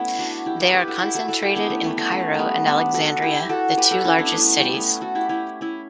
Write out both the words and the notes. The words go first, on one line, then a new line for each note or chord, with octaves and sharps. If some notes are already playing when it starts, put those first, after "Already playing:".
They are concentrated in Cairo and Alexandria, the two largest cities.
Already playing: A3 B3 C#4 E4
D4 F#4
E4 G4
G4 B4
G4 B4
F#4 A4
E4 G4
F#4 A4
F#4 A4
E4 G4
B3 D4
A3 C#4
G3 B3
A3 C#4
A3 C#4
G3 A3 B3
B3 D4
F#4 A4
E4 G4
F#4 A4
G4 B4
F#4 A4
C#4 E4
B3 D4
A3 C#4
G3 B3
A3 C#4
F#4 A4
E4 G4
C#4 E4
C#4 E4